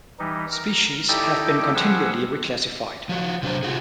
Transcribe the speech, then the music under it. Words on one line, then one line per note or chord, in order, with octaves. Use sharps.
Species have been continually reclassified.
E3 G3 D#4
A#4
D#4 E4 G4 A4 D5 G5
F3 G3 G#4 F#5 E6
F3 F#4
C3 F#3 D4 C5 A#5
C3 F4 F#4 G#4